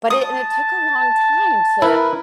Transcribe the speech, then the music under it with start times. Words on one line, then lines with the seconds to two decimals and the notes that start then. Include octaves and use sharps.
but it and it took a long time to,
0.10 A5 D#6
1.82 E4 A#4 B4